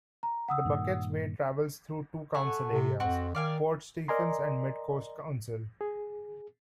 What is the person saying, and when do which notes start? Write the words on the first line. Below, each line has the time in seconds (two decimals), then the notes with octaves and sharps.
The Bucketts Way travels through two council areas: Port Stephens and Mid-Coast Council.
0.23 A#5
0.48 F#5 D#6 E6
0.65 G2 A#2 D#3
2.34 A3 F#5 G#5
2.71 C3
3.00 F2 C4 F#4
3.35 D#3 D5 F5 G#5
4.08 A#4 D5 D#5 G#5 A#5 C6
5.81 G#4